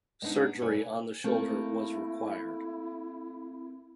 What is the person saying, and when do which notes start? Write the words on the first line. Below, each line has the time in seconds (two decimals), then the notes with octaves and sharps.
Surgery on the shoulder was required.
0.22 G#3 B3 C4 D4 D#4
0.61 G2 C3 A4 B4 C#5 G#5
1.24 A3 A#3 C4 E4